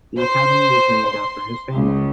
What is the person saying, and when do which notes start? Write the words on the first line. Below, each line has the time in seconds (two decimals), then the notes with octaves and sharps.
The Academy was named after his family.
0.19 C5
1.07 C6
1.73 C#2